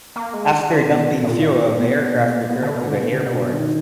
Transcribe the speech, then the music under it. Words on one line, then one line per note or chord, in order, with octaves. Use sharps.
After dumping fuel, the aircraft returned to the airport.
A#3
G#3
D3
D3
B2
A#2
A#2
B2
A#2
B2
A#2
B2
D3
B2
D3
B2
D3
B2
D3
D#3